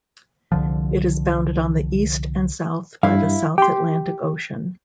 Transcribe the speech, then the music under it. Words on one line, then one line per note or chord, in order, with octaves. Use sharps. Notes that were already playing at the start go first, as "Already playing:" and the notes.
It is bounded on the east and south by the South Atlantic Ocean.
C2 D3 F3
G2 E4 F5
G4 G5 C6